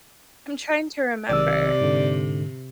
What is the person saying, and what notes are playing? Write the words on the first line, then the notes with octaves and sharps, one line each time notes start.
I'm trying to remember.
B1 C3 D#3 D5 E6
G#2 D3